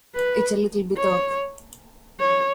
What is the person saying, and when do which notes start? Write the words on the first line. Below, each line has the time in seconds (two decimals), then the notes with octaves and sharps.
It's a little bit off.
0.15 B4
0.97 C#5
2.20 C#5